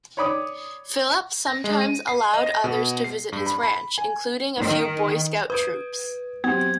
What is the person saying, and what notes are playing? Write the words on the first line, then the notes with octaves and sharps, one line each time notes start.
Phillips sometimes allowed others to visit his ranch, including a few Boy Scout troops.
C#5 D5 B5 D6 D#6
A#6
G#3
D#7
C7
D#5
A#6
B2
C7
G2
B5
B5
G#5
D#3
B4 D#6 G#6 D7
F#3 B3 C4 G4 G#6